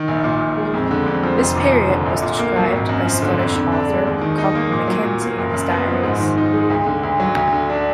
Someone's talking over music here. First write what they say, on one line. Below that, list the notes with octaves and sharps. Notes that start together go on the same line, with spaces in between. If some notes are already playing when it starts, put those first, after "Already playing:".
This period was described by Scottish author Compton Mackenzie in his diaries.
Already playing: D#3
A#1
A#2
A#1
G#3
F2
D3
F2
F3
F1
D#2
F3
D3
A#1
A#2
A#3
F#3
G#1
F#2
F3
D3
F2
D3
D4
G#3
D#2
D#3
D#4
A#3
A#2
F#3
A#2
A#3
F#1
F#2
B3
F3
G#2
D#3
D#4
G#3
D2
D3
D2
F#3
D2
D3
D4